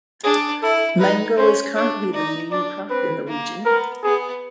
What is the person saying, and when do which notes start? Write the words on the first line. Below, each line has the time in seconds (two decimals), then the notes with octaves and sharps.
Mango is currently the main crop in the region.
0.23 D4 G#4
0.62 E4 A4
1.00 D#4 B4
1.37 C#4 C5
1.76 D4 C#5
2.14 D#4 D5
2.51 D4 D5
2.89 C4 B4
3.27 A#3
3.65 B3 A#4
4.03 B3 G#4